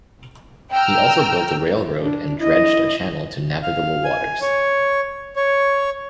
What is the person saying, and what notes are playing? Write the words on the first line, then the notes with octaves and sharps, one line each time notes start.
He also built a railroad and dredged a channel to navigable waters.
G5 A#5 E6 F6
D4
E4 D#5
F5
G#5
C#5
C#5